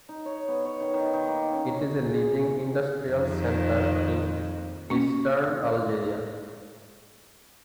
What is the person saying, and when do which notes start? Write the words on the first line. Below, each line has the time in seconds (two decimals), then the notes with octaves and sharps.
It is a leading industrial centre in eastern Algeria.
0.09 D#4
0.26 C#5
0.48 B3
0.65 C#5
0.80 D#3
0.94 D#3
1.13 D#3
1.28 A#3
1.53 C#4
1.68 A#5
2.03 G#4
3.09 F2 D#3
4.90 A#3 C#4